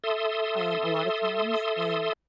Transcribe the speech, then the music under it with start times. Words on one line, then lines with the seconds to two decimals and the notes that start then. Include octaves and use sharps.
um, a lotta times. And
0.04 A4 E5 C6 D#6